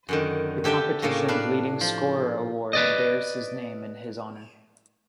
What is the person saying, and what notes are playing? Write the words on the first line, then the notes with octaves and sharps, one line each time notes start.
The competition's leading scorer award bears his name in his honor.
F#2 D3 D#3
D3 G4 A4 E5 G5
A2 C#3 A#3 A4
D4 B4 F5
F3
B4 D5 D#5